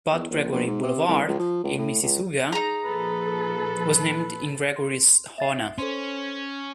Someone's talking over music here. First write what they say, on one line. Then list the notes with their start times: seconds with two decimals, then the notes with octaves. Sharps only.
Bud Gregory Boulevard, in Mississauga, was named in Gregory's honour.
0.12 E2
0.30 A#1
0.52 A#1
0.67 G#2
0.83 C3
1.07 C2
1.28 C#2
1.40 F3
1.64 C#2
1.78 A2
2.02 C#2
2.52 D#4 G#4 A#5
2.85 A#2 F3 A4 B4
4.76 C6
5.38 E5 A6 C7
5.78 C#4 A4 C5 C6